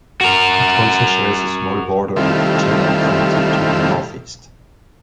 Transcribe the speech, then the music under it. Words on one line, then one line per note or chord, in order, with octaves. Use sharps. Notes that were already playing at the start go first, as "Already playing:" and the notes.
It also shares a small border with Chelan County to the northeast.
F#4 A#4
C3 D#3 G3 A3 E4 F4